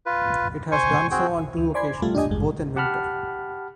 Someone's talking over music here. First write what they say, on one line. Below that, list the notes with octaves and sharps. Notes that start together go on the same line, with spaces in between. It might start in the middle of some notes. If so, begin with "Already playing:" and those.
It has done so on two occasions, both in winter.
F4 B4
C5 G#5 C#6
C4 F#4 G#4 G5
G#5
D2 E3
C5 D5 G#5 B5 C6 G#6
G3 A3 F4 A4
D4 G4 D#5 G#5
G#1 E2 G2 G#3
G4 F#5 A5 B5 F6